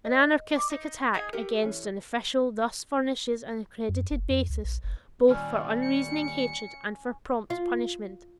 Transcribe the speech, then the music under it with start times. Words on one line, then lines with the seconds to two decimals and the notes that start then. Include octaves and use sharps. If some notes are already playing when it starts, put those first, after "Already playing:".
An anarchistic attack against an official thus furnishes an accredited basis both for unreasoning hatred and for prompt punishment.
0.05 D#5
0.56 D5
0.70 D#4
1.14 D#4 G#4 G#5
1.33 A3 G4 A#4
1.63 E3 C#4
3.89 F#2
4.11 F#1
4.30 F2
4.50 C#2
4.65 A#1
4.84 F#1
5.30 D#2 A#2 G3 C#4 E6
5.82 C#7
7.50 F4